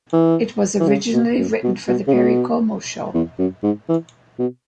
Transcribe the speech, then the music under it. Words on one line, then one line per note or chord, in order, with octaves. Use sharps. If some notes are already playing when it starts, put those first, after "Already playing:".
It was originally written for "The Perry Como Show".
E3
E3
C#3
B2
F#2
B2
B2
C#3
B2
E2
F#2
G#2
E3
B2